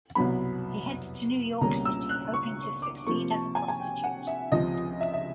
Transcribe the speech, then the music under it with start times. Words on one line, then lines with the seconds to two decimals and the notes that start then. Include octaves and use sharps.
He heads to New York City, hoping to succeed as a prostitute.
0.15 C2 B2 F#3 B3 B5
1.61 C#2 B2 G3 A#3 C#4 A#5
1.85 E6
2.09 F#6
2.34 C#6
2.82 D6
3.07 C3 F3 A#3 C#6
3.31 A5
3.55 G#5
3.68 G#5
3.80 G5
4.04 F#5
4.27 E5
4.52 C#2 C3 F3 D#5
5.01 E5
5.14 E5